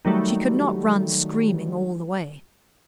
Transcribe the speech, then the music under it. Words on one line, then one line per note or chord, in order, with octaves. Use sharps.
She could not run screaming all the way.
D#3 F#3 G3 A3